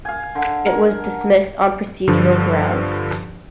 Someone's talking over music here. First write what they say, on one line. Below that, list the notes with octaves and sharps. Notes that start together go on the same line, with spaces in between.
It was dismissed on procedural grounds.
F5 G#5
D3
A#4
G2 D3 F3